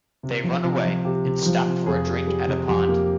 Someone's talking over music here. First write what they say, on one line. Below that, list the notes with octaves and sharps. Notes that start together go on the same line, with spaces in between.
They run away and stop for a drink at a pond.
C3
F3
C3
F3
C3 G4
C3
F3
C3
F2 G#4
G3
G3 G#4
C3
F2 G4
A#3